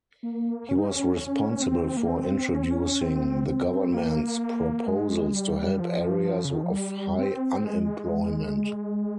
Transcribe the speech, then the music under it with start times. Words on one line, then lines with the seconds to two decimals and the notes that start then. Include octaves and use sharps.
He was responsible for introducing the government's proposals to help areas of high unemployment.
0.23 A#3
0.69 C#4
0.79 D#4
0.88 C#4
1.16 C#4
1.62 C4
1.97 A#3
2.08 C4
2.54 C#4
2.63 C4
2.71 C#4
3.01 C4
3.48 C4
3.94 A#3
4.87 G#3
5.33 G3
5.80 F3
6.45 C#3
6.54 D#3
6.63 F3
6.71 G3
7.19 C4
7.65 G#3